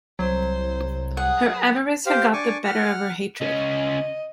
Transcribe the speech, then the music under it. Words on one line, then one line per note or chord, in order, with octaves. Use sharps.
Her avarice had got the better of her hatred.
C2 F#3 C5
G#4 F#5 D#6
G4 C5 F5
D4 G#5 C#6 D6
F#5 F6
C#2 C#4 D#5